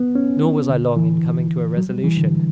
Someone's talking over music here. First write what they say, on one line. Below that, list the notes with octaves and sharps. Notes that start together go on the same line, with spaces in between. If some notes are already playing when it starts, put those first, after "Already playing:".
Nor was I long in coming to a resolution.
Already playing: B3
C#4
D3
E3
F#3
G3
E3
D3